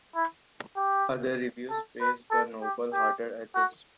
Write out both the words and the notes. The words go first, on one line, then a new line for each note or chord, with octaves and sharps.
Other reviews praised the novel's harder edges.
E4
G4
A4
B4
A4
G4
G4
F#4